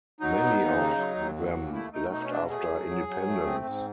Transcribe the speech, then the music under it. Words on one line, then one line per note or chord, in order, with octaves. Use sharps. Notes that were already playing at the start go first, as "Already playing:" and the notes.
Many of them left after independence.
F#3 D#4
B3
D#2
C#3
F#3
D#2
F#3
D#2
A3 E4
A3 D#4
B2 D#4
C#4
F#3 D4
A3 G#4
F#3
F#3
F#3
A3
C4
G#2